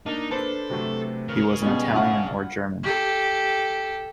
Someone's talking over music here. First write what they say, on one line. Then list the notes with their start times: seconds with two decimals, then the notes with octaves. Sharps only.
He was an Italian or German.
0.06 A#3 D4 D#4
0.31 D4 A4 B4 C5
0.70 C3 F#3 A3
1.29 C#3 A#4
1.62 B2 G3 G#3 C#4
1.91 B1 C#4 E4 F4 F#5
2.83 G4 A4